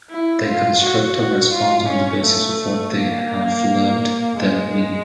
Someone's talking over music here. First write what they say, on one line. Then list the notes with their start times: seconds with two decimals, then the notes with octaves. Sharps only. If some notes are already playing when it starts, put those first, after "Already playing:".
They "construct" a response on the basis of what they have learned, the "me".
0.11 E4
0.47 F4
0.82 F#4
1.18 F#4
1.54 F4
1.89 C#4
2.24 A3
2.96 A#3
4.38 G#3